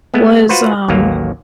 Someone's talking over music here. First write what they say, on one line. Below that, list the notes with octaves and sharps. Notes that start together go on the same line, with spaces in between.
was, um
G#3 A3 B3
F4 F#4 B4 C5
A1 D#2 F#3 A#3 F5